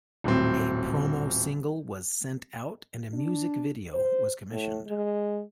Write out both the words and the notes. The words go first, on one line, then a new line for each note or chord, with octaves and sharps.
A promo single was sent out and a music video was commissioned.
D#1 A2 F#3 C4
D4
C5
A2
G#3